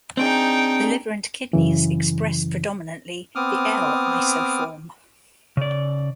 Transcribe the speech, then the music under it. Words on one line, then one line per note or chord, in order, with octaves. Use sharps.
The liver and kidneys express predominantly the L isoform.
C4 D4 D#4 G#4 G5
F#2 C#3 E3
B3 C4 D6 D#6 F6
C#3 D5